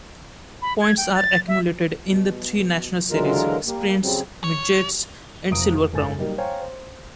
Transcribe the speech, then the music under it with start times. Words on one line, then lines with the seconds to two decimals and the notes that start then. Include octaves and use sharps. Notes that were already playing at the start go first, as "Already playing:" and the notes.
Points are accumulated in the three national series: sprints, midgets, and silver crown.
0.62 B5
0.81 G#6
0.97 G5
1.15 A6
1.48 E5
2.05 B2
3.10 D3 E3 F#3 G#3 F4 A#4
3.66 G3 A#3
4.02 C#3 F#3 G3 C4
4.44 C#5
5.51 F1 F2 A#5 D#6 D7
5.93 F#1 G#2 A4 G#5 A6
6.18 F#3 G3 A#3 D#4
6.38 C5 C#5 F5 G5 G#5 A#5
6.62 C5